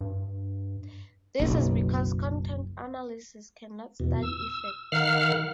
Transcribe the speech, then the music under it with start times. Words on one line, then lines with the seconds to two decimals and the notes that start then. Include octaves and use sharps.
This is because content analysis cannot study effects.
0.01 G2
1.39 F#1 B1
4.00 E2 B2
4.22 E6
4.92 D#3 F5 F#5 F6